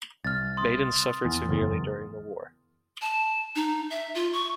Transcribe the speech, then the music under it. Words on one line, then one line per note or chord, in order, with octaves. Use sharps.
Baden suffered severely during the war.
C2 F6 A6
C6 D#6
E2
F#1 E2
A5
D#4
E5
F4
C#6